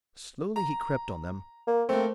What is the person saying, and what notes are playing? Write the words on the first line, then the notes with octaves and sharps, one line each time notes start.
Slowly he crept on them.
A#5
A#3
A3 A#3 C4